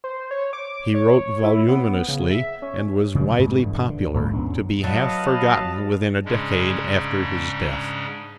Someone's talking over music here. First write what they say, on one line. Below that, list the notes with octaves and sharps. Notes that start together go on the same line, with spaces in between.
He wrote voluminously and was widely popular, to be half forgotten within a decade after his death.
C5
C#5
D6
C#5
E4
B3
C#3
E5
C#4
C#3 F3 F#3 G#3
G#2 B2 G3 G#3
G2 D3 E3
D3
B1 G#2 A#3
E2 B3 C#4 D4
F#3 B4 D#5 F5 A5
G#2 C#3 G3 G#3 C#4 D4